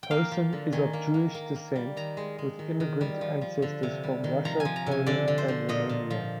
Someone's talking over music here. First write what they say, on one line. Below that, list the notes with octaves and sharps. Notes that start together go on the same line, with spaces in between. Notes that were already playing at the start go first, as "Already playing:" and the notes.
Posen is of Jewish descent, with immigrant ancestors from Russia, Poland, and Romania.
G5
A#3 F5
F3
D3
D#3 G#5
A#3
A#3
A#3
A#3
G3
D#3 A#5
G#3
G#3
D#3
D#3
G3
F3
F3
D3
C3
G3
D#3
F3 A#5
G#5
F3
A#5
C3 G#5
D3 D5
D3
C5
D3
A#2 D#5
A#2
F3